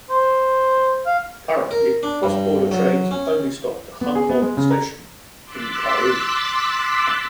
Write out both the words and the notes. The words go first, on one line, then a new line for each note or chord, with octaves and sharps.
Currently cross-border trains only stop at Hung Hom Station in Kowloon.
C5
F5
A#4
D4
G2
F#3
C#4
B3
G#4
B3
G#3
C#3
A#5
C6 D6 E6 F#6 A6 B6